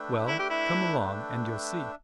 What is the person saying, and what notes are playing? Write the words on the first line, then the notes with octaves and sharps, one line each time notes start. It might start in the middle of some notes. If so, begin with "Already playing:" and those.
"Well, come along and you'll see!"
Already playing: A3 D4 B4 E5 G5
E4
G4
E4